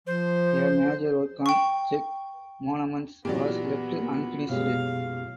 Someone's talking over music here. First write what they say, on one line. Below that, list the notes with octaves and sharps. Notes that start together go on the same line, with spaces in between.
A major work on Czech monuments was left unfinished.
F3 C5
G5 C#6
A#2 E3 F#3 B3 G4 D5
A#3
F#2 B2 G#3 B3 G4 F5